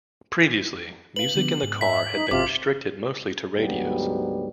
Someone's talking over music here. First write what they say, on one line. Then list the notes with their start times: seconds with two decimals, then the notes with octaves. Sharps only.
Previously, music in the car had been restricted mostly to radios.
1.16 B4 F5 F#7
1.35 D3 F3 B3
1.63 G#2
1.81 E5 B6
2.14 D#4
2.31 G1 G2 C3 F4 D6 F6
3.57 D2 G#2 F#3 G3 B3 G4